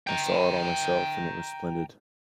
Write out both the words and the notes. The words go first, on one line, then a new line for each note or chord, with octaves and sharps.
I saw it all myself, and it was splendid.
G5 A#5